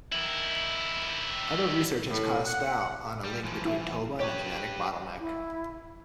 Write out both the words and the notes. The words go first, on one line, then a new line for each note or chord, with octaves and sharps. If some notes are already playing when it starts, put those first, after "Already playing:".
Other research has cast doubt on a link between Toba and a genetic bottleneck.
D#3 E4
A2
F#5
G3
E3 F3
E4
G4 B4 C#5
E4